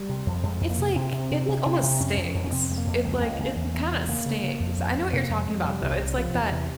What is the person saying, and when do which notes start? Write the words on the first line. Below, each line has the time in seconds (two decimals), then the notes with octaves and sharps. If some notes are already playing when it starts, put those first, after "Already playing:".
It's like it, like, almost stings, it, like it kinda stings. I know what you're talking about, though, it's like that
Already playing: G3
0.09 C3
0.26 F2
0.43 F2 G#3
0.61 F2
0.70 A#3
0.78 C3
0.96 C3 C4
1.12 C3
1.31 C3
1.48 C3
1.66 C3
1.83 C3
2.00 F2 C#4
2.17 F2
2.34 F2
2.44 C#4
2.52 C3 C4
2.69 F2 G#3
2.78 A#3
2.87 F2
3.04 C#2
3.21 C#2
3.39 C#2
3.56 E2
3.74 E2
3.92 C3
4.09 C#3 A#3
4.26 C#3
4.43 C#3
4.60 F2
4.78 F2
4.96 F2
5.13 C3 A#3
5.30 F2
5.38 G#3
5.47 F2
5.64 C3 G3
5.83 C2
5.99 C3
6.17 C3 F3
6.34 E2
6.42 E3
6.51 C3